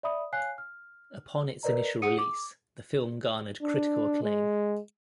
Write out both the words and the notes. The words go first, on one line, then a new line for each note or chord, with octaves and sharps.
Upon its initial release, the film garnered critical acclaim.
D5 E5 B5 D#6
C#5 F5 G#5 F#6 C7
F6
A#4 B4 D5 D#5 A#5
G#4 F#5 D#6 C#7 D#7
D6
D4
G#3